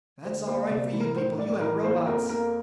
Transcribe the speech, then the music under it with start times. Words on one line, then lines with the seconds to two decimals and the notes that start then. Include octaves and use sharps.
"That's all right for you people, you have robots...."
0.25 D2 C5
0.47 A#3 C5
0.70 C3 D5
0.92 E3
1.00 A#4
1.16 A2 C5
1.39 A2 D5
1.61 E3 A#4
1.84 A#3 C5
2.07 F2 A#4
2.29 A#3 A#4